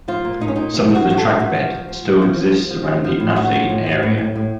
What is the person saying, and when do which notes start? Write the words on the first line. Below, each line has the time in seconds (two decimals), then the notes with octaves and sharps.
Some of the trackbed still exists around the Athy area.
0.08 F3 F4
0.25 A#2
0.40 A#2 D#4
0.48 C#4
0.56 A#2 D#4
0.74 A#2
0.90 F3 F#4
1.06 F3 F#4
1.18 A#2 A4
1.39 A#2 F#4
1.56 F3
1.72 F3
1.89 F3
2.05 A#2
2.22 F3
2.38 F3
2.54 F3
2.70 F3
2.87 F3
3.04 F3
3.20 A2
3.36 A2 F#4
3.53 F3
3.69 A2
3.86 A2
4.03 A2
4.18 A2
4.36 A2